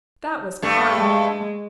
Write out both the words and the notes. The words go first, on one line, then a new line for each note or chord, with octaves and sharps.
That was kind.
G2 A3
G#3